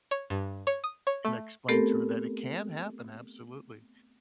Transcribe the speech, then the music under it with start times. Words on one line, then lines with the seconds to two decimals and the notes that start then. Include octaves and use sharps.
and I explained to her that it can happen, absolutely,
0.11 C#5
0.30 G2
0.67 C#5
0.84 D#6
1.07 C#5
1.25 A3
1.69 A3 B3 C4 G4 A4 A#4